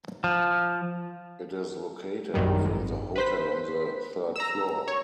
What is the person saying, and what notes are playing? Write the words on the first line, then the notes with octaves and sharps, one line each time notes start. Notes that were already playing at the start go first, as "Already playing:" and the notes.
It is located within the hotel on the third floor.
F3
A#1 F#2 D#3 G3
G#1
B4 C5 B6
A#5 E6
C#5